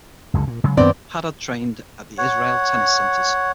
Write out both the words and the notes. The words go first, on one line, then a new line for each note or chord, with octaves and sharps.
Hadad trained at the Israel Tennis Centers.
F#1 C#2 D3
A#2
C#3 F#3 G#3
F#2 D#3 B3 C4 D4 D5
C#5 F#5